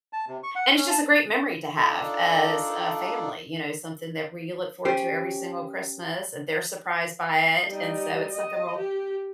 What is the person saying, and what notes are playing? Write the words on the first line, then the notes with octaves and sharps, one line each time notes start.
and it's just a great memory to have as a family, you know, something that we you look forward to every single Christmas, and they're surprised by it. And so, it's something we'll
A5
C3
C#6
F#5
C#4
A5
D4 D#4 F4 A4 D5
C#4 G4 C5
G3 D#4
D#5
G4